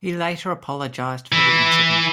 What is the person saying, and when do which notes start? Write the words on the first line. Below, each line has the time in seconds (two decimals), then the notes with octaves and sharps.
He later apologized for the incident.
1.32 E3